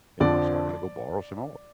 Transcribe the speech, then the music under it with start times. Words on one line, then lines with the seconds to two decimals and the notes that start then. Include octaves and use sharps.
you know? So, I got to go borrow some more
0.20 F2 D3 F3 D5